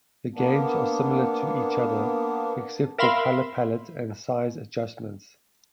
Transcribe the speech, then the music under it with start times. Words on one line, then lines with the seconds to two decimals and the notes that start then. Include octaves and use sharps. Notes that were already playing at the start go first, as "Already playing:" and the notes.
The games are similar to each other, except for color palette and size adjustments.
0.36 A#3 B3 D4
2.98 A#4 E5 F5 B5 C6